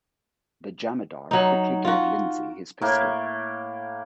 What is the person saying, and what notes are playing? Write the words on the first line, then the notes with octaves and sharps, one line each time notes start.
The jamadar quickly gave Lindsay his pistol.
F#3 D#4
F4 F#4
A2 A#3